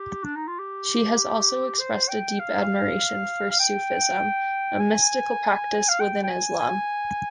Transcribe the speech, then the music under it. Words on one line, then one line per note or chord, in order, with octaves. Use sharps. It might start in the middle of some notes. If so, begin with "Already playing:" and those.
She has also expressed a deep admiration for Sufism, a mystical practice within Islam.
Already playing: G4
D4
D#4
F4
G4
C5
G5
F5
F5
G5
G#5
F5
G5
G5
G#5
G#5